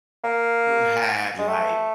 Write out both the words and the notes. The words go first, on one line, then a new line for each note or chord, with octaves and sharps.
who had, like,
A#3
G#3
A3